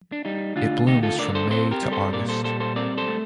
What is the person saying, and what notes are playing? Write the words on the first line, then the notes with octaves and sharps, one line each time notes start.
It blooms from May to August.
D4
G3 D#4
D2 D4 F4
D2 D#4 G4
F4 A4
D3 A#4 D5
A4 C5
C4 A4 C5
G4 A#4
G3
A4 C5
A#2 A#4 D5
A4 C5
G3 A4 C5
A4 C5
C4 A#4 D5
A4 C5
A3